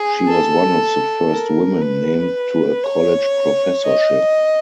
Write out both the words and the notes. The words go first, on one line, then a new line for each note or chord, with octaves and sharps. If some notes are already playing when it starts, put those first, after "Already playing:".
She was one of the first women named to a college professorship.
Already playing: G#4
A4
A#4
B4
C#5
D#5